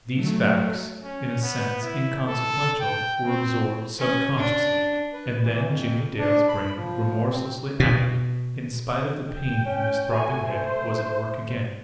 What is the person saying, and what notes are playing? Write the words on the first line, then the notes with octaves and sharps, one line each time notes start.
These facts, in a sense inconsequential, were absorbed subconsciously; and then Jimmie Dale's brain, remorselessly active, in spite of the pain from his throbbing head, was at work again.
F#3 A3
C#4
B3
E4
A4
G5
C4
C#4
D4
B4
E3
F2
D4
B5
F3
C4
B2
G5
C#4
A3 F#4 G#5
C5